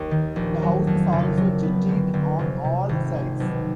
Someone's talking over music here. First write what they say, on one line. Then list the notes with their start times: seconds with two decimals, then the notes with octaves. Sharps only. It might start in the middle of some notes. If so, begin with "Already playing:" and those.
The house is also jettied on all sides.
Already playing: D#2
0.11 D#3
0.36 A#1
0.62 F#3
0.87 F2
1.12 F#1
1.37 F#3
1.63 B3
1.89 G1
2.13 G1
2.39 F1
2.64 C3
2.89 G#1
3.15 G#3
3.40 B1